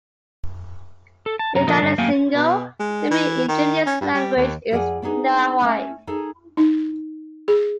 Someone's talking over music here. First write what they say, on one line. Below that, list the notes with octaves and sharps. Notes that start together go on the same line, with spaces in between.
In Jalacingo the main indigenous language is Nahuatl.
A4
A5
F#2 C3 A#5
A#2 D3 F3 A3 A#4 D#5
G2 D3 C#4
F#2 A3 A#3 F5 G5 G#5
B2
G#3
E3
D#3
C#4
G2
G3
D#2
F2 F3 G#4 D5 F#5 G#5
B3 D4 D#4 G#4
A3 C#4
D#4 G#4 A4
D#4
G#4